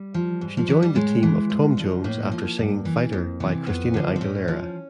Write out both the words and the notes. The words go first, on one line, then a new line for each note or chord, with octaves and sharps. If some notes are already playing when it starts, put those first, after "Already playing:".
She joined the team of Tom Jones after singing Fighter by Christina Aguilera.
Already playing: G3
F3
G#2
F3
E3 F#3
G3
A2 G#3
E3
G2
D3 F3
A2 A#3
F3
G2
E3
F2
C3 E3
F2 B3
D3 F3
C4
A2 C#4
F3